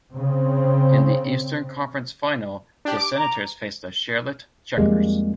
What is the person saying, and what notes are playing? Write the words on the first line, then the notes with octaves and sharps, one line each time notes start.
In the Eastern Conference final, the Senators faced the Charlotte Checkers.
C#3 C4
D4 G4
D6
A#5
F2 G3 G#3 A#3